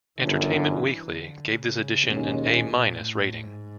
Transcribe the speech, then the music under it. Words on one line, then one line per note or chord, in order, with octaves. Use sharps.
"Entertainment Weekly" gave this edition an "A-" rating.
G1 F#2 D3 E3
D3
C#3
D#2 B2 D#3 G#3 C#4
A#2
A2
G#2